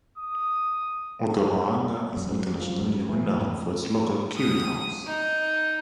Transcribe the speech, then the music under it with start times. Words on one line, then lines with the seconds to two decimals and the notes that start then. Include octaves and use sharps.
Otorohanga is internationally renowned for its local Kiwi House.
0.18 D#6
2.17 F#2
2.32 F#2
2.60 F3
2.81 F#2
3.09 E3
4.37 D#6
5.07 D#4